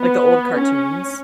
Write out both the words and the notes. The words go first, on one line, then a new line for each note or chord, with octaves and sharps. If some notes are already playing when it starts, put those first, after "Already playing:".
Like, the old cartoons.
Already playing: B3
C#4